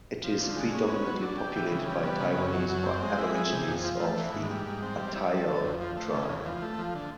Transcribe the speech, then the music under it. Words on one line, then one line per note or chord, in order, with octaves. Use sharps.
It is predominantly populated by Taiwanese aborigines of the Atayal Tribe.
F3
D3
G#3
C#4
B3
F#3
D4
G4
E3
C#3
G3
B3
C#3
F#2
F#3
F#2
C4
G#3
E4
G#4
C3
F2
F3
A3
E3
G#2
G3
G#2
C4
G3
E4
A4
D3
F2
F3
A3
C#3
E2
F3
A3
F3
D3